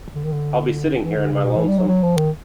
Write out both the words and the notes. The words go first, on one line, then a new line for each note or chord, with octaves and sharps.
I'll be sitting here in my lonesome.
D3
D#3
D3
E3
D3
C#3
B2
E3
G3
F#3
F#3
F3
D#3